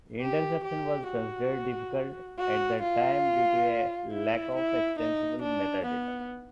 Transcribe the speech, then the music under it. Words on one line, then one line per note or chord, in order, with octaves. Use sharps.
Interception was considered difficult at the time due to a lack of extensible metadata.
G4
G4
F#4
F#4
F4
E4
E4
D#4
D4
B3